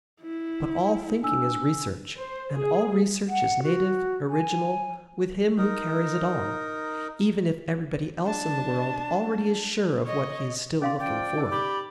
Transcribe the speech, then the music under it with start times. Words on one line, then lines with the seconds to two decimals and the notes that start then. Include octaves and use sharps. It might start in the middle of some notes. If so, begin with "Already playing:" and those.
But all thinking is research, and all research is native, original, with him who carries it on, even if everybody else in the world already is sure of what he is still looking for.
0.21 E4
1.22 D4 G#5 E6
2.20 C5
2.55 G#4
3.29 F#5
3.63 F#4
4.30 G#5
5.58 D#4 A#4
8.25 D4 A5
10.06 C#5 D#5
10.82 C#4 D5 F5 C6
11.00 F3 D5 G5
11.38 E3 D#4
11.51 G4 B5